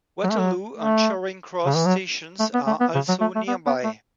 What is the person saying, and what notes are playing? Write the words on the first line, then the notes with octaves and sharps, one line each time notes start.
Waterloo and Charing Cross stations are also nearby.
F#3
A3
F#3
A3
C#3
E3
F#3
A3
B3
A3
B3
C#3
F#3
A3
A3
B3
B3
A3